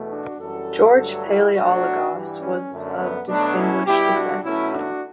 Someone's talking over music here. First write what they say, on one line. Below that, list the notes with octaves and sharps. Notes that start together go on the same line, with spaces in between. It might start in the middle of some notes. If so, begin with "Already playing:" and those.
George Palaiologos was of distinguished descent.
Already playing: E2 B2 A3
D4 F#4
F#2 E3 G3 F#4 A4
G2 D3 F#3 A3
E4 G4
B2 F#3 A3 D4 F#4
G2 E3 G3
C#4
F#2 D3 A3
B3
B2 F#3 A3 B3 D4
C#4 E4
B2 G3 E4 G4
D4 F#4
B2 F#3 A3 C#4 E4
D4 F#4